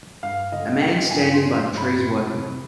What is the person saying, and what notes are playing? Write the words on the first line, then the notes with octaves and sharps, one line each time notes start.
A man standing by the trees working.
G2 F5
D3 D#5
D3 G5
G2 G#5
C6
F3
C6
G2
B5
C3
C3